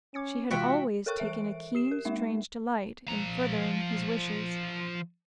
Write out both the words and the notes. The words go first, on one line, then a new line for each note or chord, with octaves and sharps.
She had always taken a keen, strange delight in furthering his wishes.
C#4 D6 G#6 C#7
C3 E3 G#3 F4 F#4 E5 G5
A4 A#4 C#5 G5 C#6 F#6
E3 E5 D7
G4 C7 E7
A#4
G#3 A#3 D#4 E5
F3 A#5